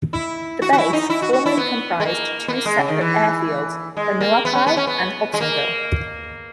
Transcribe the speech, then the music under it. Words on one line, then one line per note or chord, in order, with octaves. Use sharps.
The base formerly comprised two separate airfields, Whenuapai and Hobsonville.
E4
F#4
F#4
E4
D#4
E4
F#4
F#4
E4
B3
G#3
A#3
B3
A#3
G#3
C#3
D#3
E3
G#3
A#3
B3
C#4
B3
C#4
B3
G#3
A#3